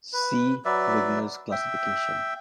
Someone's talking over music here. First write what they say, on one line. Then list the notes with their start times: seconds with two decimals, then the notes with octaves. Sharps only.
See Wigner's classification.
0.13 B4
0.65 F#3 B4 D5 E5
1.52 E5 G5